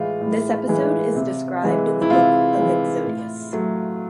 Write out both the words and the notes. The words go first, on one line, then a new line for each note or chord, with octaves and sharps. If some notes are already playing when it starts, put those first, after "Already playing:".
This episode is described in the Book of Exodus.
Already playing: A2 E3 G#3 F4
A2
E3 G#3
C3
E3 G#3
E4
C3 F4
E3 G#3
A2
F#3 A3